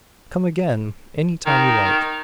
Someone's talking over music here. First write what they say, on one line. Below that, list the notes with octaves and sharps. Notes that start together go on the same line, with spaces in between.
"Come again any time you like."
D#3